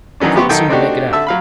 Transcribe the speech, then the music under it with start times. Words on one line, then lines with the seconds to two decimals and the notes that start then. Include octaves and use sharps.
He couldn't seem to make it out.
0.20 D#3 E3 F#3 C#4 D4
0.35 A1 B3 G4 C5 C#6
0.49 B1 D#3 A4 G5
0.69 A3 C4 D4 D#4 F#4 G4
1.13 D3 E5 A5 E6
1.27 F#3 F5 B5